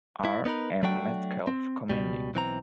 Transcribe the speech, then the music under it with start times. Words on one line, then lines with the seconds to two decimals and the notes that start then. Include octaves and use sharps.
R. M. Metcalf commanding.
0.25 E4
0.45 B3 D#4 A#4 B4
0.83 F#3 A3 D4 F#4 G5
1.47 C4
1.89 C#2 B2 G3
2.34 B1 E3 C4 A#5